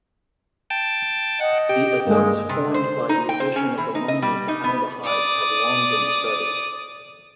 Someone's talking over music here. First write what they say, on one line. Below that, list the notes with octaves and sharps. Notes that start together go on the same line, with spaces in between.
The adducts formed by the addition of ammonia to aldehydes have long been studied.
G5 A5
D#5 F#5
G4 G5
G2 G#3 A#3
C3
C5
D#4
G5
C5
C#4
E3
D#4
D#5
G3
D#4
B3
D5 D#6